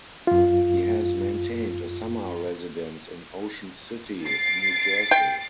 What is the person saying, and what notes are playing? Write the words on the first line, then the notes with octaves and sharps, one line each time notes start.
He has maintained a summer residence in Ocean City, New Jersey.
F#2 F4
A6 C7 D7
G5